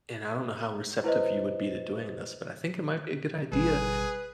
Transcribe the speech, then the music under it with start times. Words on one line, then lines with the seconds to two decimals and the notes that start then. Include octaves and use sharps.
and I don't know how receptive you would be to doing this, but I think it might be a good idea
1.04 E4 B4 C5 D#5
3.52 G#1 B2 G3 G#4 B4